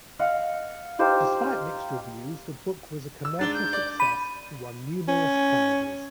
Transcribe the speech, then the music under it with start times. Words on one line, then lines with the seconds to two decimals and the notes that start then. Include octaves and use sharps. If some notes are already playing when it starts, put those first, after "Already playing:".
Despite mixed reviews the book was a commercial success and won numerous prizes.
0.19 D#5 F5 F#5
0.99 D#4 F4 G4 C5
3.25 E6
3.39 G#2 D4 A6 G7
3.54 G6
3.73 D5
4.00 B5 D#7
5.08 C#4